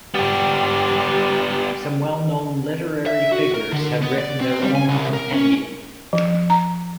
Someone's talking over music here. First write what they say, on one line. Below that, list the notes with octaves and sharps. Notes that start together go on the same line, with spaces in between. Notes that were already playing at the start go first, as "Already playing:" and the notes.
Some well known literary figures have written their own compendium.
G3 B3 G4
E5
F#4
A#4
D3
B3
D5
C4
G3
G#5
C2
A#4
C#4
F3
A#5